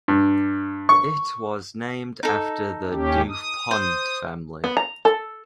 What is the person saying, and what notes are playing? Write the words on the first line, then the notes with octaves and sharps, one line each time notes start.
It was named after the Du Pont family.
G2
C#6
D#4 A4
D#2 C#4 G4
D#6
C5
B3
A#5
A4